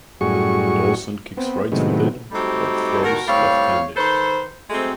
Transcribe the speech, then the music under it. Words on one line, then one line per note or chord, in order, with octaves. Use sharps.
Dawson kicks right-footed but throws left-handed.
F#2 A2 G3 F#4 G#4 C#6
B3 C4
A2 C3 D#3 F#3 G#3 B3
F#3 G3 A3 C4 D#4 G4
B2 D#3 F#4 A#4
A2 G3 C4 C#5 F5
D#3 A4 B4 C5
F#3 G#3 A3 C4